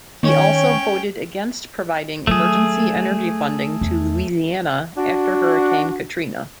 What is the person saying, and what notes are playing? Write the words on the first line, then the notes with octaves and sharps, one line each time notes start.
He also voted against providing emergency energy funding to Louisiana after Hurricane Katrina.
D#3 C#4 C#5 G5
D#3 F#3 A3 G#4
E2
D4 F#4